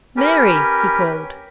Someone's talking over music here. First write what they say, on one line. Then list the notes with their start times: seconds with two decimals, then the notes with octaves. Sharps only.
"Mary!" he called.
0.17 C#4 G4 A#4 B4